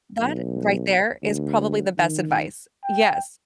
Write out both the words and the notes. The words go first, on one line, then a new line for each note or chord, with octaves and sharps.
That right there, is probably the best advice. Yes.
B1
D2
D#3
G5